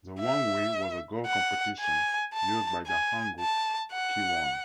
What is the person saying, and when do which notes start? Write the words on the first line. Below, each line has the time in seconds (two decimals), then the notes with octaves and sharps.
The Wangwi was a Go competition used by the Hanguk Kiwon.
0.20 E5
1.27 F#5
1.80 G#5
2.34 A5
2.87 G#5
3.40 A5
3.93 F#5